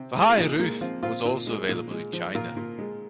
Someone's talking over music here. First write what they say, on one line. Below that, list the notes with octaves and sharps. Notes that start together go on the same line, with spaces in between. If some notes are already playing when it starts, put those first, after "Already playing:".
The high roof was also available in China.
Already playing: C3 C5
G#3
F4
A#2 D#4 G#4
G#3 A#3
F3 C4 F4
A#2 C4 F4
A#2
G#3
A#2
G#3
F3
A#2 F4 A#4
A#2
G#3